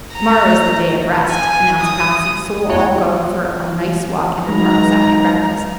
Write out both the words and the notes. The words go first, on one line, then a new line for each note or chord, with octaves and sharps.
"Tomorrow is the day of rest," announced Patsy, "so we'll all go for a nice walk in the parks after breakfast."
A#5
G#5
D#6
E2 A3 F#4 C#5 G5
F#3 G#3 D#4 B4 A#5